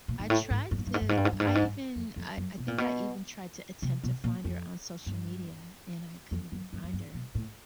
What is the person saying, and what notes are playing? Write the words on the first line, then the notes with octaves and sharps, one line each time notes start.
I tried to I even I I think I even tried to attempt to find her on social media, and I couldn't even find her.
A#2
G#2
A2
G#2
G2
G#2
G2
G#2
G2
G#2
G2
G#2
G2
G#2
G2
G#2
G2
F2
F2
F#2
B2
A#2
B2
C3
B2
A#2
F2
G2
F2
F#2
F#2
F#2
G2
B2
A2